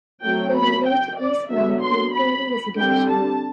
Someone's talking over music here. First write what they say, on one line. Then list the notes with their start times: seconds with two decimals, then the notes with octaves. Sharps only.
The village is now entirely residential.
0.23 F#3 A3 C4 G5
0.55 B5
0.87 G5
1.19 D5
1.50 D3 F#3 B3 E5
1.82 C6
2.14 B5
2.78 D3 G3 C4 G5
3.10 A5